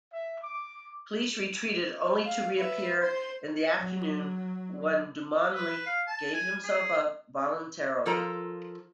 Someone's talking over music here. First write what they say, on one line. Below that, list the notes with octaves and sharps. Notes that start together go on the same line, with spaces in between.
Police retreated only to reappear in the afternoon when Dumanli gave himself up voluntarily.
E5
D6
F5
B4 E5
C5 C6
F#3
B4
F5
A5
G#5
G#4
F3 F4 A4 A#4 A#5